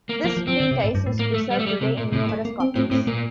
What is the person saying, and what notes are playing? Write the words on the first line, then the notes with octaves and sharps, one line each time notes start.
This treatise is preserved today in numerous copies.
A#3
F3 A#3
F3
F3 C4
D3
C3
A2
G2
A2
A#3
A3
G3
A3
G3
C3
A#2
A2 C3
A3
A#3
C4
A2 C4
A2 C4
A#2 A#3